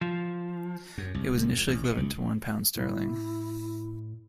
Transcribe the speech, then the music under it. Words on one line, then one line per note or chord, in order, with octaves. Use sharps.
It was initially equivalent to one pound sterling.
F3
F#2
C2
C#2
F2
A1
B2
C#2
A2 E4